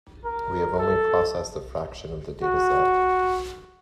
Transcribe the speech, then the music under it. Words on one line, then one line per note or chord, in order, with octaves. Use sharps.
We have only processed a fraction of the dataset.
A#4
A4
F#4